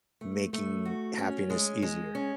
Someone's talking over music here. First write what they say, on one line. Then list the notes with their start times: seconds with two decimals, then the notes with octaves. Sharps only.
making happiness easier,
0.21 A3
0.53 A3
0.85 F#4
1.18 C#4
1.50 G#3
1.82 G#3
2.15 C#4